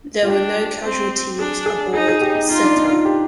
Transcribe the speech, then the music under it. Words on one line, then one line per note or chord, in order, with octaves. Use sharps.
There were no casualties aboard "Setter".
F4
D4 G4
C4
D4 G#4
G#4
D#4 G#4
G#4
G4
D#4
D#4 F4
D4
D#4
F4
G4